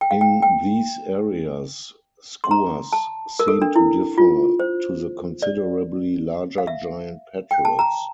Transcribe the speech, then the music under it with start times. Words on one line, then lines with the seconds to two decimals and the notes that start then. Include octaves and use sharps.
In these areas, skuas seem to defer to the considerably larger giant petrels.
0.01 G5
0.11 F5
0.21 G5
0.42 G5
2.44 C6
2.51 A#5
2.93 A5
3.40 A#4
3.48 A4
3.62 D4
3.76 E4
4.18 F4
4.60 C5
5.42 D5
6.58 F5
6.67 E5
7.51 G5
7.65 A5
7.79 A#5